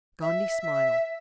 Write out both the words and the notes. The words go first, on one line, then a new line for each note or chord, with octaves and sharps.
Gondy smiled.
E5
E5